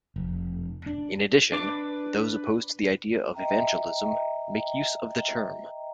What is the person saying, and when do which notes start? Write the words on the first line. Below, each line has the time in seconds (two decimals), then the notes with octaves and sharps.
In addition, those opposed to the idea of evangelism make use of the term.
0.16 F1
0.86 D4
1.52 D4 B4 D6
3.34 D#5 E5 G5 A#5